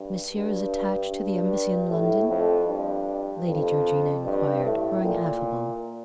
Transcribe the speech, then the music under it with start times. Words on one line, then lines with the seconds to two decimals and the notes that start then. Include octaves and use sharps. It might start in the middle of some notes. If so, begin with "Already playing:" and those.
'Monsieur is attached to the Embassy in London?' Lady Georgina inquired, growing affable.
Already playing: G2
0.33 G2
1.11 G2
1.89 A2
2.29 F2
2.68 G2
3.46 F2
4.25 G2
4.64 A2
5.04 A#2